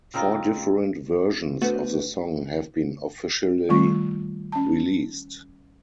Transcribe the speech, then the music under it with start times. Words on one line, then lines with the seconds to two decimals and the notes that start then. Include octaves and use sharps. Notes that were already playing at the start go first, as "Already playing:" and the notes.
Four different versions of the song have been officially released.
0.14 C#3 C4 D#4 F4
1.62 A3 B3 D4 F#4 B4 C5
3.69 D#3 G3 A3 F4 C#6
4.52 C#4 A5